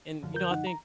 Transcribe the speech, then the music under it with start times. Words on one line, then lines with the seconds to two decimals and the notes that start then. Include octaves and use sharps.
And, you know, I think
0.22 F#2 D3 F3
0.34 A#4 G6
0.51 D#4 F#5
0.67 A#5